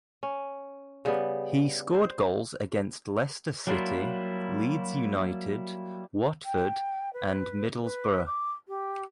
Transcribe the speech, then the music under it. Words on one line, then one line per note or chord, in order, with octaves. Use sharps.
He scored goals against Leicester City, Leeds United, Watford and Middlesbrough.
C#4
C#3 G3 B3
C5
F#3 G3 A#3 D4 E4 F4
G5
B4
B4
D6
G4